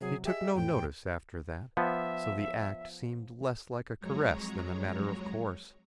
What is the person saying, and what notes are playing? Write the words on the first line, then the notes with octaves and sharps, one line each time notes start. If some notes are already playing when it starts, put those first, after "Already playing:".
He took no notice after that, so the act seemed less like a caress than a matter of course.
C3 F#3 G#4
G4 G#4 D#5 E5
F2 A2 G5
F3 B3 E5
F2 F#3 G#3 C#5 A#5